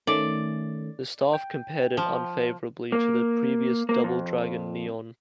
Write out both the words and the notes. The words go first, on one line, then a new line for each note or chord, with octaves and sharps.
The staff compared it unfavorably to the previous Double Dragon Neon.
D#3 A3 C#4 D5
G5
F3
A#3
A#3
F2